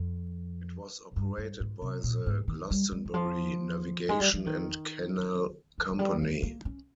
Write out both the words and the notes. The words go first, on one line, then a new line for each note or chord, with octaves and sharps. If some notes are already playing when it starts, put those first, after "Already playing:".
It was operated by The Glastonbury Navigation and Canal Company.
Already playing: F2
G#2
G2
G2
G#2
C3
A#2
G#2
D#3
G3
G3
D#3
F3
G#3
G3
F3
D#3
F3
F3
G3
G#3
A#3
C#4